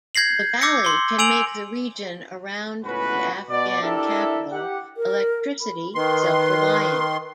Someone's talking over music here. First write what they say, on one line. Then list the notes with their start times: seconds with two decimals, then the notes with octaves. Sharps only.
The valley can make the region around the Afghan capital electricity self-reliant.
0.15 G6 G#6 A#6 C7 F#7
0.61 D6 E6 G6 A#6 C#7
0.85 C6 G7
1.19 G#5 E6 D7 F7 F#7
2.85 C#2 A2 B3 C#4 F#4 B4
3.50 B2 D5
3.82 D4 E4 G4 A4 A#4 E5
4.51 G4 F#5
4.97 A#4
5.61 B5
5.95 D#3 B4 C6